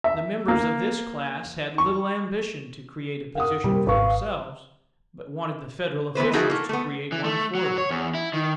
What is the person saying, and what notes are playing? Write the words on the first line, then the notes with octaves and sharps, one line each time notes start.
The members of this class had little ambition to create a position for themselves, but wanted the Federal officials to create one for them.
E5
A#3
C#6
A#4 F5 F#5 D#6
C3 G3 A#3 C4
G#1 B4 F5 C#6
E3 B3 B4 C5
F3 A3 D#4 E4 F#4 G#4
A3 A#3
A3 B3
E3
A3
F#3
C#5
E2
E4
D#3